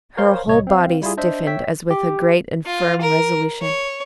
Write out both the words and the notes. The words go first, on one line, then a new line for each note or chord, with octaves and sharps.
Her whole body stiffened as with a great and firm resolution.
A#4 C5 C#5 F5 C6
C2 A2 C#5 D#5
C4 F5
G3 E4 F4 G#4
D4 C5 D#5 E5
C#5 E5 G5 B6
G4
F4
A#4
C#5